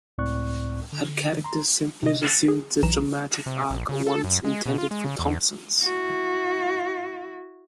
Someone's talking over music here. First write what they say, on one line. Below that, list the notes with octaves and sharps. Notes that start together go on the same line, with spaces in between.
Her character simply resumed the dramatic arc once intended for Thompson's.
C#2 A2 C4 D5 C#6 F#6
D3
A#5 C6
C3 D#5
A6
G#4
B1 E3 A#5 E7
C3
A#1
C#3
A4
F#2
G#3
B2
F4
G#3
C#3
E2
E4 F#4